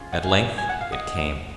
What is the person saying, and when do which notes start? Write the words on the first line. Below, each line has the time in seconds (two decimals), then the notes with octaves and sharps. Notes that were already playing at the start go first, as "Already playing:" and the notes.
At length it came.
Already playing: C#4 F4 G#4
0.13 F#5
0.23 F5 G#5
0.58 G#5
0.69 F#5
0.81 F5
0.92 D#5 F#5